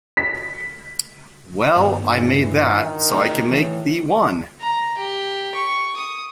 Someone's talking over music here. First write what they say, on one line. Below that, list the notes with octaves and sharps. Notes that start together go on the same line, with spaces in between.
Well, I made that, so I can make thee one!
B6
G2 B2 D#3
E2
E3
D#3
G#4 A#4 E5
A2 E3
A#5
G4
C#6
D#6